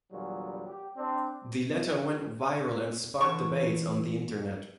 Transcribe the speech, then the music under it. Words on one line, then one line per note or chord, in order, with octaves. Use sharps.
The letter went viral and sparked debates on the internet.
E2 A#2 D3 F#3 G3
G4
C4 D4
D3 E3 C#6